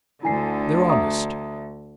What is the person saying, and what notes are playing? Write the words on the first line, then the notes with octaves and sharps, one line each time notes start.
They're honest.
D2 D3 E4 G#5 C7
E5 A#5 D#6